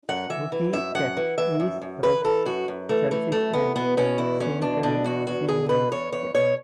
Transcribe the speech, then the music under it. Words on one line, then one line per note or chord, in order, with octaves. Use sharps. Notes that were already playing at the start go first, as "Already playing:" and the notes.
Bucky Katt is Rob's selfish and cynical Siamese Cat.
F#2 F#5
E3 E5
E3
F#2 E5
F#2 F#5
E3
E3 E5
F#2
F#2
E3 B4
E3 A4
F#2 F#4
F#2
E3 A3
E3 A3
F#2 A3
E2 B3
B2 B3
B2 C#4
E2 E4
E2 C#4
B2 D4
B2 D4
E2 F#4
E2 F#4
B2 G#4
B2 B4
E2 C#5
E2 C#5
B2 C#5